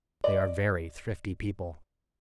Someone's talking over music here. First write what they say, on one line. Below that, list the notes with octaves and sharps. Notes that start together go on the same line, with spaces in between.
They are very thrifty people.
D5 D#5